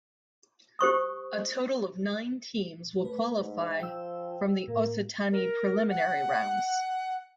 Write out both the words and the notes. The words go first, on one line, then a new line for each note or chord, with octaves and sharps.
A total of nine teams will qualify from the Occitanie preliminary rounds.
G4 C5 C#6 D#6
A3 B4
G#2
F3 G5 E6
A2 A#3
A#4
F#5